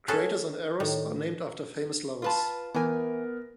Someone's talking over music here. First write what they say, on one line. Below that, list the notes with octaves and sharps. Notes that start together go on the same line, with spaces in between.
Craters on Eros are named after famous lovers.
C#4 F#4 G#4 A4 B4
A2 D#3
F4 B4 A5
E3 B3 A#4 G#5